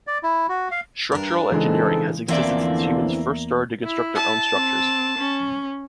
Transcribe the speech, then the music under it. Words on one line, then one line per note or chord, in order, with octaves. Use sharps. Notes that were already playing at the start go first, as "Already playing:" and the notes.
Structural engineering has existed since humans first started to construct their own structures.
D5
E4
F#4
F5
G2 D4 A#4
C#3 E3 G#3 C4 D#4 A4
E2 D3 E3 F3 A#3 C4 D5 E5
E4
A5
C4
C#4